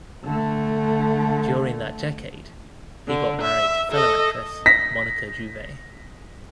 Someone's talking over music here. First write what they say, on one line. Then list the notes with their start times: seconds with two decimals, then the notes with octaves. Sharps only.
During that decade, he got married to fellow actress Monica Jouvet.
0.24 D3 A3
3.08 D3
3.42 E5
3.92 A4 D#5
4.66 A#6 B6